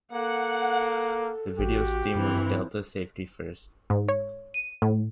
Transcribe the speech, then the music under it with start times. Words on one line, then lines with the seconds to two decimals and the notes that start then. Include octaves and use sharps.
The videos' theme was "Delta Safety First".
0.13 A#3 A4 F#5
1.59 A1 F#4 G4
2.15 G2 E3 F3 C4
3.90 G#2
4.08 C#5
4.54 D#7
4.82 A2